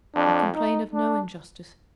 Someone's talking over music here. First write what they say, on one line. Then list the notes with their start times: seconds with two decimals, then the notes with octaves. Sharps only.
I complain of no injustice.
0.15 F2 D4
0.54 D#4
0.93 D4